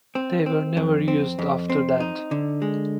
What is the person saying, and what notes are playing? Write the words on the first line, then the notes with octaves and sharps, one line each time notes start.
They were never used after that.
C4
C4
F2
C4
F2
C4
D#4
D3
G#3